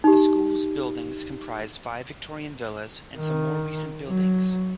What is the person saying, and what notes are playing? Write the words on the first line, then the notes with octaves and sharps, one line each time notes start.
The school's buildings comprise five Victorian villas and some more recent buildings.
D#4 G4
D#3
F#3